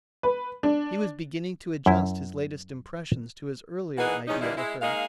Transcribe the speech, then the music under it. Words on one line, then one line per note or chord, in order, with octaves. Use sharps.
He was beginning to adjust his latest impressions to his earlier idea of her.
B4
D4
F#2 E4
E3 A#3 D#4 G#4 B4 F#5
E2 C#4 D#4
D3 E3 G3 A#3 D#4 E4
G#3 E4
G#3 A#3 D#4 G#4 F5